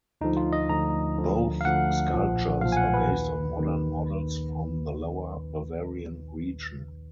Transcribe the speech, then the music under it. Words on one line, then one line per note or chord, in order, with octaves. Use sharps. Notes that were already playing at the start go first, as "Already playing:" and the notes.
Both sculptures are based on modern models from the Lower Bavarian region.
D2 D3 F3 D#4
F4
D#5
D2 D3 F3 A#5
D2 D3 F3
F5
D2 D3 F3 F#5
B1 A#2 F3
B1 A#2 F3 F5
G#5
F#5
B4
D#2 D#3
D#2 D#3